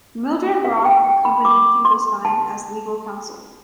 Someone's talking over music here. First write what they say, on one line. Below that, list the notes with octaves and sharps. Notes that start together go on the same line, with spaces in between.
Mildred Roth accompanied Finkelstein as legal counsel.
F5
G5
G5
B5
D6
C6
A5